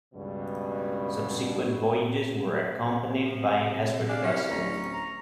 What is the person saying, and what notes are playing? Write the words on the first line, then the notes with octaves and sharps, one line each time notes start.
Subsequent voyages were accompanied by an escort vessel.
C#2 G2 B2
C3 F3
D4 G#4 F5
C2 C#4
D1 A#5
A#5